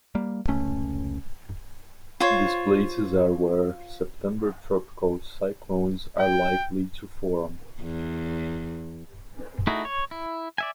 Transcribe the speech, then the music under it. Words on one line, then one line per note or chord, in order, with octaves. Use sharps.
These places are where September tropical cyclones are likely to form.
G3 A#3
F1 C#2 A3 C#4
F4 C5 C#5
G5
E2
A3 D#4 E4 F#4 G#4
C#5
E4
D5 E5 G#5